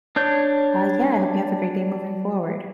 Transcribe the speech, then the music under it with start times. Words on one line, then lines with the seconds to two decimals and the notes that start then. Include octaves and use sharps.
uh, yeah, I hope you have a great day moving forward.
0.16 D4 C#5 G6